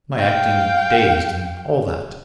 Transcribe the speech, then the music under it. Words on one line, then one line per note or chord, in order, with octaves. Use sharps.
"My acting dazed and all that?"
F5 G5